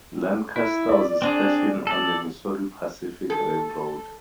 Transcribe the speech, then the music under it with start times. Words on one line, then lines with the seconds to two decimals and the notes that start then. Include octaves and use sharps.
Lancaster was a station on the Missouri Pacific Railroad.
0.56 E4
0.89 D5
1.22 C4 D4 G#4
1.87 A4 D5
3.30 A4